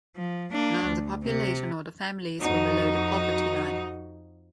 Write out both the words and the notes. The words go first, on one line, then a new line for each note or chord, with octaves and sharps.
None of the population or the families were below the poverty line.
F3
A#3 D4
D2
C3
F2 D#4 F#4